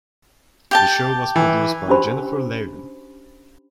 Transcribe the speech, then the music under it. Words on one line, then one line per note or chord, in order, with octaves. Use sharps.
The show was produced by Jennifer Lavin.
G4 G5 A5
E3
C#4 D4 F#4 G4 C5 B5